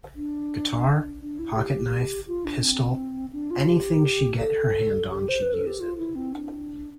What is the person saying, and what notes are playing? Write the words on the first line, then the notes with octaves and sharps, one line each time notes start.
Guitar, pocket knife, pistol, anything she get her hand on she'd use it.
D4
D4
E4
A4
G4
F4
D4
C4
D4
F4
G4
A4
G4
C5
B4
A4
G4
F4
E4
C4
D4